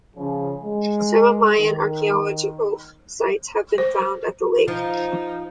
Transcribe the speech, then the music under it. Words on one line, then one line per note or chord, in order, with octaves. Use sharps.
Several Mayan archaeological sites have been found at the lake.
C#3 F3
G#3
D#3
C5
F3 D#4